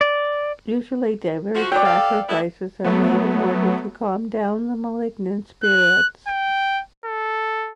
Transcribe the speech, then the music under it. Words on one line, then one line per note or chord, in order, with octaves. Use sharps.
Usually diverse sacrifices are made in order to calm down the malignant spirits.
D5
F3 C4 F#4
F#3 D5 G5
G4 A4 F5
A3 B3 E4
F#3 A3 B3
F#6
G5
A4